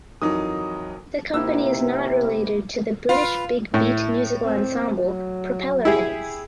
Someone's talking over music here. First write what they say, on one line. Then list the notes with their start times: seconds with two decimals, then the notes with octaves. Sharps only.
The company is not related to the British big beat musical ensemble Propellerheads.
0.22 F2 E3 F#3 D#4 A#4 D#6
1.34 C3 A#3 D#4 E4 E6
3.09 F4 B4
3.74 A2 E4
4.45 C4
5.05 F#3
5.85 E4 G4 G#4